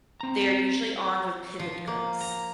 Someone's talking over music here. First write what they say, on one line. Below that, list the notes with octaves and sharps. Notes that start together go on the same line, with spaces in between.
They are usually armed with pivot guns.
C4 A#5
F3
A#3
A#5